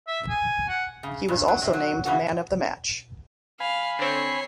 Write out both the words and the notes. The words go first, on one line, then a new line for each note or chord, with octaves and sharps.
He was also named man of the match.
E5
G#5
F#5
C#3
G2 A#2
F#3
C3
F#3
C#3 E3 F#3 F#4
F5 G#5 B5
D3 C4 C#5 C7